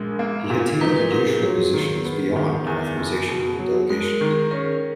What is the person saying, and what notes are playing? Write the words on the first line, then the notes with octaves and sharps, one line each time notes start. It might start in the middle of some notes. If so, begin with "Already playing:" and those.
He had taken unusual positions beyond authorization and delegation.
Already playing: A#1 G#3 A#4
A#3
A#2
D#4 B4
A#4
A#2 G#4
G#4
F#3 G#4
D#3
B3
D#3
E2
F#1
B2
F#3
G#3 A#4
A#4
D#3
G#4
C#4 A#4